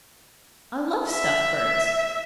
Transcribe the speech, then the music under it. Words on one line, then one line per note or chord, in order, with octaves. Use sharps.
"I love stuffed birds."
E5